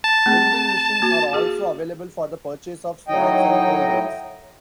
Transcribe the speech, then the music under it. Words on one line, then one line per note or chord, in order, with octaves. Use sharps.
Vending machines are also available for the purchase of snacks and cold drinks.
A5
A3 C4 G#4
C4
A#3 F#4
F#4 G#4 F5
A2 F#3 D#4 D#5 G5